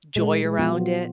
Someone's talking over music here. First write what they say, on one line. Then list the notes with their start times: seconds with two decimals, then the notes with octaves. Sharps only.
joy around it
0.16 A#2 G#3
0.44 G#3
0.58 F3 B3 F4 G#4
0.73 F#3